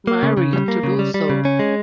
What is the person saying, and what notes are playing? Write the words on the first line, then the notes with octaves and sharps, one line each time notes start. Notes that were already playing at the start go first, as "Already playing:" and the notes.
Marie to do so.
A#3
C#3
C#3
G3
A#3
C#3
G3
G3
C#3
C#4
G#3